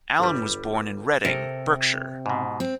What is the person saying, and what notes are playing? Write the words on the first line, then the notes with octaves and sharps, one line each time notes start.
Allen was born in Reading, Berkshire.
G1 G3
C3 A4 A#4
G#2 B2
C4